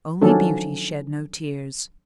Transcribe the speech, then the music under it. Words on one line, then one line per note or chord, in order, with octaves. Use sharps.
Only Beauty shed no tears.
D#3 F3 F#3 C#4 D4 A4